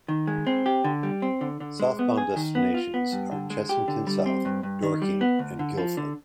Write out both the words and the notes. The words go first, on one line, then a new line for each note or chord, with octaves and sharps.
Southbound destinations are Chessington South, Dorking and Guildford.
D#3
G#3
C4
G4
D3
G3
C4
D3
D3
G#3
B3
G#4
D#3
B3
F4
B3
G2
D3
G#3
G4
D3
G3
C4
G2
G2
D#3
G3
B3
D2
D3
F3
D3